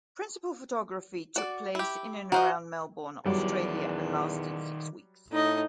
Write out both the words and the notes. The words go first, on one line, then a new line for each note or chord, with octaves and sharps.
Principal photography took place in and around Melbourne, Australia, and lasted six weeks.
F#4 D5
E4 G4
F#4 A#4 C5 D#5
E2 D#3 F#3 G3 D5
A2 D#4 D#5